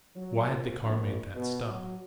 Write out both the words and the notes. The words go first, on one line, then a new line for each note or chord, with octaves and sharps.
Why had the car made that stop?
F#3
A#1
A#1
B2
F#3